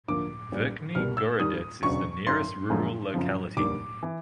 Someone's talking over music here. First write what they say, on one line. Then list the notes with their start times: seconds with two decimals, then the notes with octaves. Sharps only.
Verkhny Gorodets is the nearest rural locality.
0.08 D2 D3 F3 A#3 D6
0.52 A#1 A#2 G3
0.95 C2 B2 G3 A#3 F6
1.17 E6
1.39 D#2 D#3 G3 D#6
1.83 E1 D2 C#3 F#3 C#6
2.26 G#1 F#2 D#3 C6
2.70 F#2 D3 F3 G#3
3.14 F#2 C#3 F3
3.57 F1 D#2 D3 G3 A#3 D6
4.03 E3